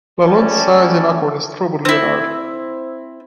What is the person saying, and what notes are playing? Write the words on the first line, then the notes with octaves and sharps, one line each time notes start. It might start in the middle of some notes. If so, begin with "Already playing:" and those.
Lalonde's size and awkwardness troubled Leonard.
G3 A3 C#4 D5 A5
C4 E4